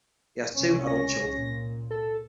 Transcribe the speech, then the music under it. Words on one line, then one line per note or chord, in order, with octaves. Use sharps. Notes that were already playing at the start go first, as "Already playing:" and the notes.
He has two adult children.
C#2 C3 C#4
A#6
A#2
A4